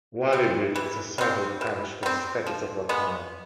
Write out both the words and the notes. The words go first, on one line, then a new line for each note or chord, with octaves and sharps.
Whaley Bridge is a civil parish with the status of a town.
G3 C4
E3
G3 C4
E3
G3 C4
F3
G#3 B3